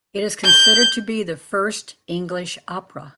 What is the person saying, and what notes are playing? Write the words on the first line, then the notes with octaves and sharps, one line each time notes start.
It is considered to be the first English opera.
G6